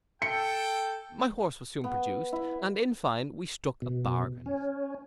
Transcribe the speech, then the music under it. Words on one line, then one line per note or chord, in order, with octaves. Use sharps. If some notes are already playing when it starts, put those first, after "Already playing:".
My horse was soon produced, and in fine we struck a bargain.
A4 G5 C#7
B3
E4
B2
C#4